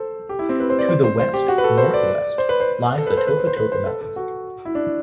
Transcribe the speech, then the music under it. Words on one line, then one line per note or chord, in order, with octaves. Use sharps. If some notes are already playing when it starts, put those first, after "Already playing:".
To the west-northwest lies the Topatopa Mountains.
Already playing: A4 C5
G4
E4
C4
B4
C5
D5
C5
C5
C5
G4
F#4
B4
A4
C5
D5
C5
B4
C5
A4
B4
C5
B4
C5
C5
B4
C5
A4
A4
F#4
E4
D4